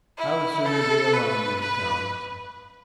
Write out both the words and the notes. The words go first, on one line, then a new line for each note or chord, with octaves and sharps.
I would sooner be alone when he comes.
E4
A4
B4
B4